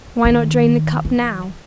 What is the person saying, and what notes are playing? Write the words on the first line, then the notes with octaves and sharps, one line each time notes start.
Why not drain the Cup now?
D#3
E3